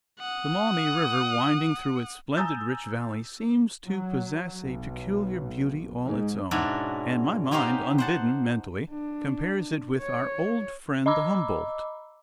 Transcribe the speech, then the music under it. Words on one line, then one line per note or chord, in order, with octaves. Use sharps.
The Maumee River, winding through its splendid rich valley, seems to possess a peculiar beauty all its own, and my mind, unbidden, mentally compares it with our old friend, the Humboldt.
F#5 D#6
G#5 A#5 D#6 E6 G6 A6
F#3
B1
G#2
G#2 B2 C#4 D4 E4 F#4
B3 C#4 D#4 G4 C5 F5
C5 F#5 A5
D4
C#5
D#5 A#5 B5 D6 E6